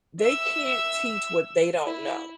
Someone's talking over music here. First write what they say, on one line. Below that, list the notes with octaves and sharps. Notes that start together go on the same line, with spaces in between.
they can't teach what they don't know.
E5 E6
E4